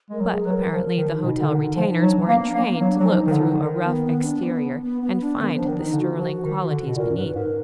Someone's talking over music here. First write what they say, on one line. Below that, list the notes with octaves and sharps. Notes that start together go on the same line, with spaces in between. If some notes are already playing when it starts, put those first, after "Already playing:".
But apparently the hotel retainers weren't trained to look through a rough exterior and find the sterling qualities beneath.
G#3 A#4
F#3
G#4
F#3 B4
A#4
F3 A#4
D#3
D#4
B2
D3
D#3 D#4
F3
D#4
F#3
D4
A#3 B3
D4
A#3
B3
F#3
D4
F#3
F3 D#4
D#3
D3
D#3
B3
B3
D4
B3
B3
B3
D4
D#3 B3
F3
D4
D#3
D#4
D3
F#4
F3 F#4
D#3
F#4
D3
B2
A#2 A#4
F#2
G#2 B4
G#2 A#4